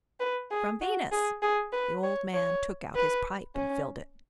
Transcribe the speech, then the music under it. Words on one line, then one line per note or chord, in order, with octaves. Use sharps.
"From Venus." The old man took out his pipe and filled it.
B4
G#4
F#4
G#4
G#4
B4
C#5
C#5
B4
C#4